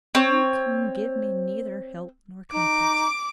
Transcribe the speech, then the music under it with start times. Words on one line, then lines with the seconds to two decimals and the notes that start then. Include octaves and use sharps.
'You can give me neither help nor comfort.'
0.15 C4 C#5
2.51 D#4 D6